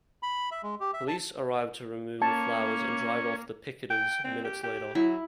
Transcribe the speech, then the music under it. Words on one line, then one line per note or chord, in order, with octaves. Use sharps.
Police arrived to remove the flowers and drive off the picketers minutes later.
B5
E5
G#3
G4
E5
A5
A#3 C#4 C#5 A5
G5
C4
G4
G4
F#3 E4